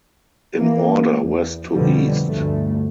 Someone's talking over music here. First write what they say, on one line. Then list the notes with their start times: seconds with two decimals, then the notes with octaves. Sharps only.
In order west to east.
0.55 E3 A#3
1.20 E2
1.71 F2 B2 D3 G3
2.28 G1 D2 A3